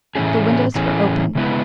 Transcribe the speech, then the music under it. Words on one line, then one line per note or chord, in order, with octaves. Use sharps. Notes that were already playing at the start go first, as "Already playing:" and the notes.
The windows were open.
A2 E3 A3 C#4 G#4
A2 E3 A3 C#4 G#4
C#3 G#3 B3 E4 B4